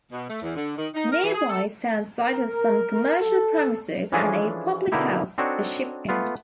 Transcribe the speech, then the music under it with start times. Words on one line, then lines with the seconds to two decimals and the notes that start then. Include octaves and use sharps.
Nearby Sandside has some commercial premises and a public house, The Ship Inn.
0.11 B2
0.28 A3
0.42 E2
0.55 D3
0.76 D#3
0.94 D#4
1.10 A#4
1.22 E3
1.34 G#4
1.49 A4
2.29 A#4
3.21 A4
4.13 E3 F3 C#4 D4 G#4 A4
4.92 B2 D3 A#3 D#4 E4 G4
5.38 C4 D4 D#4 F#4 A4 C#5
6.09 A3 B3 F4